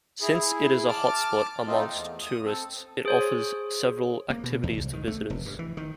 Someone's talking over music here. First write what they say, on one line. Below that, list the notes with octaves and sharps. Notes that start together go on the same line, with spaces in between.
Since it is a "hotspot" amongst tourists it offers several activities to visitors.
E4 G#4
A5 D6 F6
A3 C4 D#4 F4
E2
D#6
C4 A4
G#4 C5 C#5
A#3
B2
E2
C2
D#3
A3
F1
G2
E3
D#3